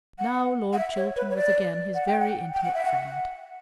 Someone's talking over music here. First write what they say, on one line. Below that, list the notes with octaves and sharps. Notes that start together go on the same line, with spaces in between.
Now Lord Chiltern was again his very intimate friend.
F#5
F#5
E5
C#5
B4
C#5
D5
F#5
G5
F#5
G5
F#5
E5
F#5